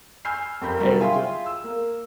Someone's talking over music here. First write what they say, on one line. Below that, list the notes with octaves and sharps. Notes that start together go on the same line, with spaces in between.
and, uh
G#5 B5 E6 F6 G6 C7
F2 G4 A#4 B5 G6
D3 F#3 G3 A3 C4 A#4
F4 G#4 E5 F5 G5 C6
E6
A#3